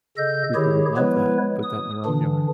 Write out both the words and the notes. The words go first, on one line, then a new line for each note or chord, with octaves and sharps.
People would love that, put that in their own yard.
C#3 A4 D#5 G6
D#3 E4 G4 G#4 C#5
F3 G#3 B3 E4 B4 C#5
D#6
D3 E3 D4